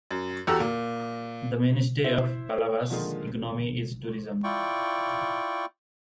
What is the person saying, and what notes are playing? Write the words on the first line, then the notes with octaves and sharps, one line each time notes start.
The mainstay of Palavas' economy is tourism.
F#2
E2 F#4 G4 A4 A#5 E6
A#2
E4 C5 E5
A#2 D3 D#3 F3 G#3 F4
E4 F4 D5 G5 C#6